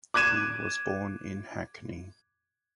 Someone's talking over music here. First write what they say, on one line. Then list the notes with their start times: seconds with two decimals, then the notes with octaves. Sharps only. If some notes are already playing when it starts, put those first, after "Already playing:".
He was born in Hackney.
0.14 D6 F#6 G#6 D#7 E7